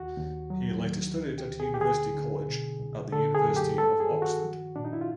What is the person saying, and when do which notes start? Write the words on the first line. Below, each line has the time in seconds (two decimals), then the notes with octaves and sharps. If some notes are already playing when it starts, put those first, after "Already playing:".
He later studied at University College at the University of Oxford.
Already playing: D#2 F#4
0.17 D#2
0.50 F#3
0.83 D#3
1.16 D2
1.38 G4
1.49 D2
1.60 G#4
1.74 G4
1.81 D3 G#4
2.15 D3
2.47 B2
2.79 C2
3.12 D3 A4
3.35 G#4
3.45 F#2
3.56 G4
3.78 G2 A4
4.00 G#4
4.11 D#3
4.22 F#4
4.44 F3
4.76 A#2 D4
4.85 D#4
4.93 E4
5.01 F4